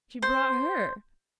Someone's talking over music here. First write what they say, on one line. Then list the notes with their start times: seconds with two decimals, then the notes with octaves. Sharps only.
She brought HER.
0.22 C5